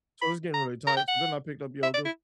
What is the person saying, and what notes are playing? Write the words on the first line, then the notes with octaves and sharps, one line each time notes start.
So, it's getting really tight so, then I picked up yoga
B5
A#5
A#5
G5
F#5
E5
D5
E4